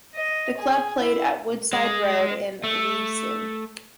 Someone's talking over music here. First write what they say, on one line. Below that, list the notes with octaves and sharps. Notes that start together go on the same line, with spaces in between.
The club played at Woodside Road in Leavesden.
D#5
G#4
E4
G#3
A3